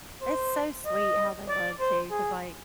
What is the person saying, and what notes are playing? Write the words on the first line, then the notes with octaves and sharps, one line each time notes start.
It's so sweet how they love too, 'cause, like,
C5
D#5
D5
C5
G#4